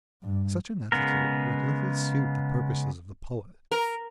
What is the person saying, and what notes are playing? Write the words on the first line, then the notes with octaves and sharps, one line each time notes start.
Such an attitude would little suit the purposes of the poet.
G2
C#3 G#3 B3 A#4
A#4